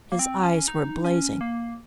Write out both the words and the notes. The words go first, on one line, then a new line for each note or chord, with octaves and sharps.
His eyes were blazing.
A#3
C4
C#4
D#4
C#4
A#3